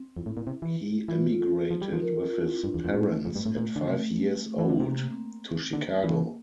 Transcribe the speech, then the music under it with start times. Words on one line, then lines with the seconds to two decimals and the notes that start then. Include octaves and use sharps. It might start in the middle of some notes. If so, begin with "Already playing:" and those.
He emigrated with his parents at five years old to Chicago.
Already playing: C4
0.16 F2 E4
0.26 A2
0.37 A#2
0.47 C3
0.62 E3
1.08 E3 F4
1.40 A4
1.70 F3
1.81 G3
1.93 F3
2.02 A#4
2.23 F4
2.33 E4
2.48 C4
2.63 G2 D4
2.74 E2 D4
2.84 F2 C4
2.94 A2 A3
3.25 F2 A3
3.36 G2
3.46 A2
3.56 A#2
3.76 D3
3.87 C3 A3
4.59 E3
4.69 D3
4.80 C3 A#3
5.11 C4
5.73 D3 A#3
6.04 E3 A#3